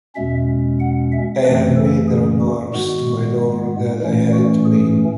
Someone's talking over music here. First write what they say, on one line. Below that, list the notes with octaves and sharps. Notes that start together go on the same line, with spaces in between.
I have made the remarks to my lord that I had to make...
E2 B2 G#3 C#4 E5
F#5
E5
F#2 C#3 E3 A3 C#4 B4
A4
G#4
F#4
G#2 D#3 G#3 B3 F#4
A2 E3 A3 C#4
F#4
G#4